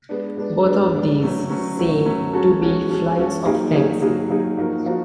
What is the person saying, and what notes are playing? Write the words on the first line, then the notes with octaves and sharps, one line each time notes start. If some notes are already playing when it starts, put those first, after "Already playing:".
Both of these seem to be flights of fancy.
G#3 B3 D4
G#3 B3 D4
G#3 B3 D4
G#3 B3 D4
F#3 A3 C#4
F#3 A3 C#4
F#3 A3 C#4
F#3 A3 C#4
G#3 C#4 F#4 A4
G#3 C#4 F#4 A4
G#3 C#4 F#4 A4
G#3 C#4 F#4 A4
D#3 F#3 A#3 D#4 G#4
D#3 F#3 A#3 D#4 G#4
D#3 F#3 A#3 D#4 G#4
D#3 F#3 A#3 D#4 G#4
F3 A#3 D#4 F#4 A#4
F3 A#3 D#4 F#4